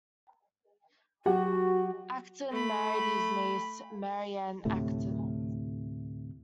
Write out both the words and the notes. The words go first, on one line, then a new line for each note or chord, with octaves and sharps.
Acton married his niece Mary Anne Acton.
F#3 F#4 G4 F#5
A3 B5
D2 A2 C3 A3